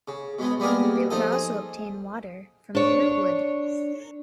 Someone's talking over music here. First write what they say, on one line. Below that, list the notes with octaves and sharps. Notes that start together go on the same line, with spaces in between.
They would also obtain water from the rootwood.
C#3
B2 G#3 B3
G3 A#3 B3 G#4 A#4
F3 D#4 A4
G#4
D4 C#5